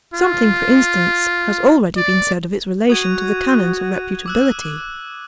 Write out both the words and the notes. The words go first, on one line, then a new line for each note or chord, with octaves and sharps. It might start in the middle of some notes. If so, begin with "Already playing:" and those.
Something, for instance, has already been said of its relation to the canons of reputability.
F4
D5
F#4 D#6 G#6 D#7
D6 E6 F#6